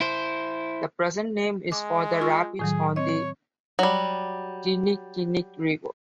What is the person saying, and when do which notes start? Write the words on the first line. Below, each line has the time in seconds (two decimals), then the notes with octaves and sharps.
The present name is for the rapids on the Kinnickinnic River.
0.01 E4 C5
1.72 G#3 D6
2.21 F4 C#6 E6
2.59 A2 D#3 F#3 G#4
2.96 C4 C#5 D#5
3.79 F#3 G3